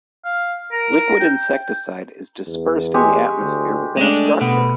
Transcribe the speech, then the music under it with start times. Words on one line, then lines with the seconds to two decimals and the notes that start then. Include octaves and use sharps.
Liquid insecticide is dispersed in the atmosphere within a structure.
0.25 F5
0.72 A#4
1.20 G5
2.47 E2
2.94 G#3 G4 C#6
3.41 D2
3.97 G#3 A3 D4
4.41 B2 B3